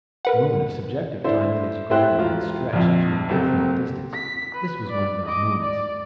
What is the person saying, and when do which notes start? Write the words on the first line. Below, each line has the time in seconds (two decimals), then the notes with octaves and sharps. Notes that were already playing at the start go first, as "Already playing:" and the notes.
A moment of subjective time that is grabbed and stretched to an infinite distance. This was one of those moments.
0.25 A#4 B4 F#5
1.24 D4 E4 A4 C5
1.90 A3 E4 G4 C5 G5 F#6
2.18 E1 F4
2.73 A#1 F2
3.29 F#1 F#3 C4 G4 A4
4.13 B6
4.55 B4
4.90 D5
5.25 D#5 D6
5.62 D5